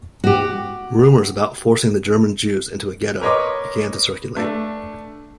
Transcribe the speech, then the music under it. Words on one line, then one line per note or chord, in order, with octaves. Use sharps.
Rumors about forcing the German Jews into a ghetto began to circulate.
F#4 G4
A#4 B4 C#5 D#5 C6 D6
A3 D4